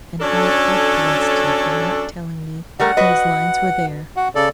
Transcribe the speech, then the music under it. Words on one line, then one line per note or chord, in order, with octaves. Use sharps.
And how I blessed you for not TELLING me those lines were there!
F#3 C#4 D4 A4
G3 A3 A#4 F#5
F#4 B4 D#5
F#4 F#5
C#3 A4 D5